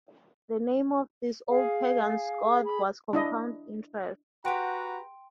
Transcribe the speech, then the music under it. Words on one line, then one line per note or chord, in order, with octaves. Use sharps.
The name of this old pagan's god was Compound Interest.
G#4 F5
B5
D4 E4 D#5
F#4 G4 B4 F#5 G5 A#5 C6 D7